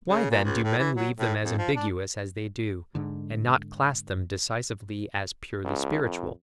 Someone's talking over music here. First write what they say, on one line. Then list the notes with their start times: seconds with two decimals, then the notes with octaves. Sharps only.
Why then do men leave them as ambiguous as they do, and not class them decisively as purely spiritual?
0.08 C#3
0.31 A#2
0.45 C#2
0.63 A2
0.79 E3
0.96 F#3
1.17 A2
1.43 F2
1.58 F3
1.75 D4
2.95 G#2 D3
5.65 C#2
6.03 F2